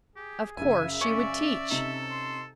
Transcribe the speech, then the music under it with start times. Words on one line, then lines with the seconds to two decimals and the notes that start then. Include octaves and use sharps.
Of course she would teach!
0.16 G4 G#4
0.57 F#2 C#3 E5 G#5
1.01 C#4 D5
1.71 C3 D#4 A4
2.11 C6